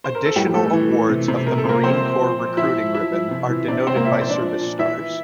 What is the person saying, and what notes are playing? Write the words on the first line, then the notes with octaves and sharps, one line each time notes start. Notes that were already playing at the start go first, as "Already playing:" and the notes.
Additional awards of the Marine Corps Recruiting Ribbon are denoted by service stars.
C5
A#4
A4
A2 G3 G4
E3 A3 A4
E3
E3
C3
C3
C3 A#4
A4
C3 A#3 A#4
F3 C4 C5
F3
F3
A#2
F3 E4 E5
F3
F3 E4 E5
F3
C3
E3
C3 D4 D5
C3 C4 C5
A#3 A#4
A#2 E5
D5
F3 C5
D4 D5
F3
A#2
E3 E4 E5
E3